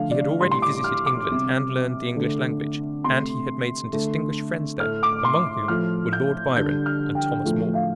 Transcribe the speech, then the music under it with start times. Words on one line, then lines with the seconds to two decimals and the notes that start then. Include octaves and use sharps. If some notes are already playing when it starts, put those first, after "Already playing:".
He had already visited England and learned the English language, and he had made some distinguished friends there, among whom were Lord Byron and Thomas Moore.
Already playing: D3 F3 A3 F5
0.11 D5
0.40 A2 G3 C6
0.51 C6
0.62 D6
0.84 F6
1.06 D6
1.28 C3 G3
2.16 D3 A3
3.04 C3 A3 C6
3.92 D3 A3
4.80 A2 A3 F6
5.03 D6
5.25 C6
5.68 A2 F3 A3 F6
6.13 G6
6.56 D3 G3 G6
6.86 F6
7.15 G5
7.44 A2 F3 A3
7.74 F5